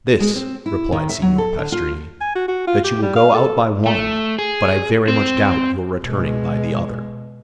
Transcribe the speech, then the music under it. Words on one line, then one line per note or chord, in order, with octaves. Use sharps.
"This," replied Signor Pastrini, "that you will go out by one, but I very much doubt your returning by the other."
G#3
C4
E4
D#3
E5
F#3
A4
D3
F4
G#5
F#4
F#4
F4
G4
G3
F5
A4
A3
G#4
C4
B2 G#3